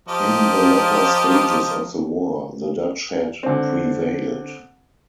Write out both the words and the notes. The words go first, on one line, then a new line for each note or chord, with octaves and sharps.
In the latter stages of the war, the Dutch had prevailed.
F3 G4 A#4 D#5
D3 C4